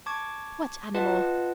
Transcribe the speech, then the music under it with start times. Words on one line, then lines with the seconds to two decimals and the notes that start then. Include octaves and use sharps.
"What animal?"
0.06 A5 C#6 D6 G#6
0.94 F4 B4 D#5 F#5 A5